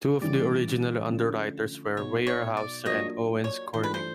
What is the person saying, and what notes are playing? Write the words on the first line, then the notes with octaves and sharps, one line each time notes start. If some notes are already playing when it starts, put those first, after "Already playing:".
Two of the original underwriters were Weyerhauser and Owens-Corning.
C#3 E3 G3 D5
D3 F3 A3 C#4
B2 F#3 B3 D#4 C#5
C#5
D5
F#3 A#3 D4 F4 C#5 D#5
C#5
E3 A3 D4 F4 C5
B4
C5